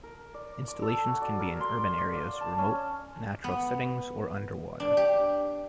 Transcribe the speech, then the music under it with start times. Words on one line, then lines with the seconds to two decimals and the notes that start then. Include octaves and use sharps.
Installations can be in urban areas, remote natural settings, or underwater.
0.03 A#4
0.34 D5
0.68 D6
0.82 A4
1.06 F#4
1.22 D5
1.39 A#4
1.60 C6
1.98 D5
2.14 F5
2.41 A5
2.58 C#4
3.44 B3
4.80 D4
4.97 G4